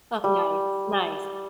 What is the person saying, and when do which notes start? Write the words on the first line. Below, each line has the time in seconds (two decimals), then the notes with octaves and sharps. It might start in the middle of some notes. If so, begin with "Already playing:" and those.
Oh, nice, nice.
0.24 G3